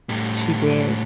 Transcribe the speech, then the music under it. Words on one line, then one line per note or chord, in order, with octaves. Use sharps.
She did.
A2 G3